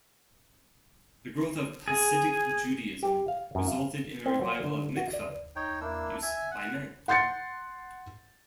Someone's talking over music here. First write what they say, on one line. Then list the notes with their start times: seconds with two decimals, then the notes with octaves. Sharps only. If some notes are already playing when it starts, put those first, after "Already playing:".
The growth of Hasidic Judaism resulted in a revival of mikveh use by men.
1.88 G#4
3.03 G4
3.28 F5
3.55 F#2
3.68 F5
4.26 C4
4.41 F#3
4.64 D3
4.97 F#4
5.13 D5
5.56 D#4 C#5 G5
5.81 A#3 D4 E4 E6
6.22 E5 G#5
6.51 F#5
7.08 F#5 C6 G6 A6 C#7